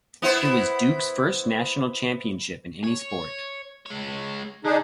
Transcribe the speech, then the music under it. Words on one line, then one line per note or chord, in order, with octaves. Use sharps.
It was Duke's first National Championship in any sport.
B3 E4 C5
C#5
G#3 C#5
D3 D4 D#4 G#4